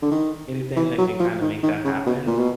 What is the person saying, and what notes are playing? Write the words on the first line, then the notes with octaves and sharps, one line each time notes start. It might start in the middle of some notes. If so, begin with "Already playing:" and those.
anything that can kinda make that happen.
D3
D#3
E3
F#3
F3
D#3
D#3
C#3
B2
A#2
B2